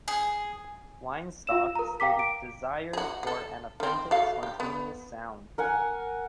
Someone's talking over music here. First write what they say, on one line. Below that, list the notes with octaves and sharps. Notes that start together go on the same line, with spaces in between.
Weinstock stated a desire for an authentic, spontaneous sound.
G#4
F4 F5 E6 E7
A#4 A#5
F5 G5 A#5 D6 B6
D7
F#4 G#4
G#4 A4
D#3 C4
F#4 A4 F5
G4
B3
A#4 F#5 G#5